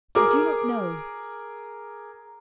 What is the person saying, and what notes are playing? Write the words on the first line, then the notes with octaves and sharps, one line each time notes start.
"I do not know."
G#4 A#4 D6